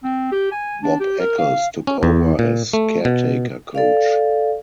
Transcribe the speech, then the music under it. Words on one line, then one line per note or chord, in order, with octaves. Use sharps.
Bob Eccles took over as caretaker coach.
C4
G4
G#5
D4
G4
A#4
F5
C#4
E2
A#2
A3
B2
A4 D5 F5